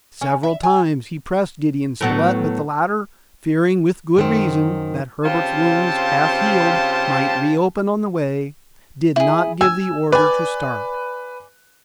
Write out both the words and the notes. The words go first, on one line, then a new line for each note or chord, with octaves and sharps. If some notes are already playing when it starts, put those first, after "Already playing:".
Several times he pressed Gideon Spilett, but the latter, fearing, with good reason, that Herbert's wounds, half healed, might reopen on the way, did not give the order to start.
C#4
E5
G#5
A2 F#3 B3
F#2 D#3 C4
C#3 C4 F4 G4 C5 A5
E4 G#4
G#5 E6
B4 D5 G#5